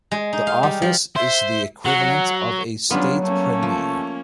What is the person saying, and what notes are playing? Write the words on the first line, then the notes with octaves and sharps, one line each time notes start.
The office is the equivalent of a State Premier.
G#3
D#4
F5
G3
F3
C5 E5
F#3 F#5
F#3 G3 B3 C#4 D4 F4
A3 A#3 C#4
F3